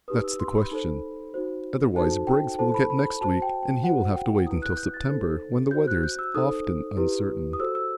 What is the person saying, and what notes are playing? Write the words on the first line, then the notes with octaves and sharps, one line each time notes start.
That's the question. Otherwise Briggs will get next week, and he will have to wait until September--when the weather is often uncertain.
D#4 G4 B4 D#6
E6
C6
B5
D#4 A4 C5
D#4 F#4 C5
D#4 F#4 A4 C5 A5
G5
E4 A4 C5 A5
B5
B5
B5
F#4 C5 A5
G5
G5
F#4 C5 F#5
G5
E4 B4 D#6
F#6
G6
A6
D#4 A4 C5
F#4 C5 G6
F#6
G6
E6
D#4 A4 C5 D#6
E4 G4 B4
D#6
F#4 A4 C5 E6
E6